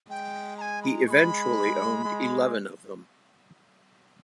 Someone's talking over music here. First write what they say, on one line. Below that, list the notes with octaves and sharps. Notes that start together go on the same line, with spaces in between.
He eventually owned eleven of them.
G#3 G5
A#5
G#5
B5
A#5
G#3 B5 C#6
G#3